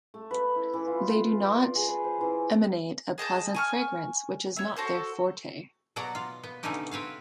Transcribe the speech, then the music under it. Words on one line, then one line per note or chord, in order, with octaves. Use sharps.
They do not emanate a pleasant fragrance, which is not their forte.
A3
B4
E4
E3
F4
F4
D5
G#4
B4
C5
E3
G#4 D#5 A5 G6
G#5 C#6 F6
C#5 E5
F#4 A4 C5
B2 F#3 D5 F#5 A#5
F4
B3
B2 D3 A3 C#4 D#4 G4
C4 B4 C#5 F5